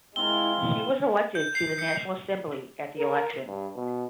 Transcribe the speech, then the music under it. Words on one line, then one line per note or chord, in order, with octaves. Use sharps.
She was elected to the National Assembly at the election.
G#3 C4 E4 F4 A#4 G7
G6
C7
C#7
A#4
G2
B2